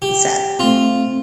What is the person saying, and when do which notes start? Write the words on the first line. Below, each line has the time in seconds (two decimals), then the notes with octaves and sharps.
It's sad.
0.02 G4
0.59 A3 C4 F4